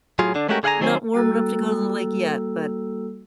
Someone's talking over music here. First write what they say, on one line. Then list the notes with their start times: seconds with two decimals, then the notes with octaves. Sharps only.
not warm enough to go to the lake yet, but
0.19 A2 F#3 F4 G#4
0.35 D3 D4
0.49 G#3 A3 C#4 F#4 G4 A#4
0.63 D3 G#4 F5 F#5 G#5 A#5
0.81 D#3 F#3 C4 C5 G#5
1.14 G3 A#3 F#4 A4 E6